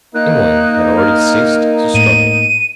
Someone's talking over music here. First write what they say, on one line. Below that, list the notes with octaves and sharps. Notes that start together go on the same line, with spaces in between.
England had already ceased to struggle.
A#3 D#4 F#6
F6
A2 D#7